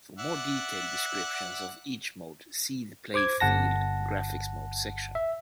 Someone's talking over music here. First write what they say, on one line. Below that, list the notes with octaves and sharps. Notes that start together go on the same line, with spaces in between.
For more detailed descriptions of each Mode see the Playfield Graphics Modes section.
D5 E5 F#5
C5 D6 G#6
G1 F#5 A5 A#6
E5